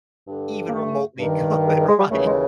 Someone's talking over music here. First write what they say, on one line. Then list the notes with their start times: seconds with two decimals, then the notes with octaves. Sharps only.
even remotely good, right?
0.28 G2 D3
0.67 A#3
0.73 A3
1.19 G2 D#3
1.65 G#3
1.77 G#3
1.88 G#3
1.99 G3
2.11 D#2 C#3 E3 A3
2.26 G#3